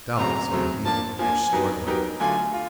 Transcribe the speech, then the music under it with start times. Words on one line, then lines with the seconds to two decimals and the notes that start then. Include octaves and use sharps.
Doubts and he were struggling.
0.18 C#3 F#3 A3 C4 A#5
0.52 C#3 F#3 A3 C4
0.85 F3 A#3 D4 A5
1.19 F3 A#3 D4 G#5
1.53 F#3 B3 D#4 G4 A#4
1.87 F#3 B3 D#4 G4 A#4
2.20 D3 F#3 A3 D4 F4 G#5
2.54 F4